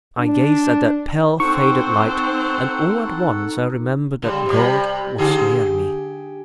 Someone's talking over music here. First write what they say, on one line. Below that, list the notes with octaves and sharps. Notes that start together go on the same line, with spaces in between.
I gazed at that pale faded light, and all at once I remembered that God was near me.
D4
C4 D#4 A4 C5 F#5 C#6
C#3 G3
C3 G3
D3 G4 G#4